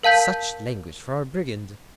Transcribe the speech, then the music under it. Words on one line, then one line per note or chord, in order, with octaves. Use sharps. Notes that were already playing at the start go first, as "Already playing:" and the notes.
Such language from a Brigand!
A#4 F5 A5 G6 B6